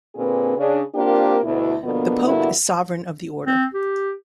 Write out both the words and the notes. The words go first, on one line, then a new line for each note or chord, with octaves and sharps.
The pope is sovereign of the order.
A#2 D3 C4 D4 G#4 B4
C#3 D4 G#4
A#3 C4 D4 F4 G4 A#4
D2 B2 E4
B2 D3 F3 A#3 B3 D4
G2 A#2 D3 B3 E4 F#4
C4
G4